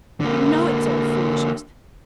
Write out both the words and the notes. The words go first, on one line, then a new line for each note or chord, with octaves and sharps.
You know it's all foolishness.
D3 A#3